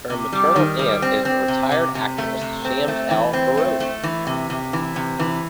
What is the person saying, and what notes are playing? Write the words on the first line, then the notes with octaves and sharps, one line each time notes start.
Her maternal aunt is the retired actress Shams El Baroudi.
C3
G3
D#3
G3
C4
C4
C3
C3
C3
A3
C3
C4
A3
E3
C4
A3
A3
E3
C3
C3
E3
C3
E3